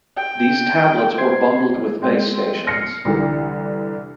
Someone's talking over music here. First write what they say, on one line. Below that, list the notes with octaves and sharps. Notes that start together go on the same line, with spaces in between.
These tablets were bundled with Base Stations.
G5
C5 G#6 C7
G#3 C4
F6 A#6 C7 C#7
C2 D3 E3